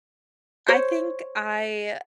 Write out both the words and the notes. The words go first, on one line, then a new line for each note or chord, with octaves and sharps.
I think I
C5 C#5